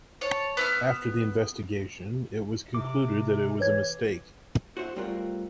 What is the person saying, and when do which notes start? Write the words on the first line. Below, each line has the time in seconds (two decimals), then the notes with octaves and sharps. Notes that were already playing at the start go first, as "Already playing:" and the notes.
After the investigation, it was concluded that it was a mistake.
0.21 C#5 A5
0.57 B3 E5 F6
2.74 C3 D6
3.60 E3 B4 C#5 G#6
4.77 F#4 C5 E5
4.96 G3 A3 C4 F4 A#4 F#5